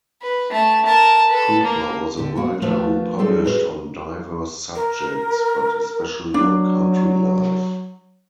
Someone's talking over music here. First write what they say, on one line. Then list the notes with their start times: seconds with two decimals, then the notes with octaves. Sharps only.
Cooper was a writer who published on diverse subjects, but especially on country life.
0.22 B4
0.51 A3 A5
0.86 A#4 A5
1.29 A4 B4
1.63 A#3
2.17 D3 G4
2.36 A#3 F#4 F#5
2.62 F3 A3 D4 F4 A#4 B4
3.19 F#3 G3 C4 D#4 G#4 A4
3.45 F#4 G#4 A#4 B4 D#5
4.75 A#4
6.34 F#3 D4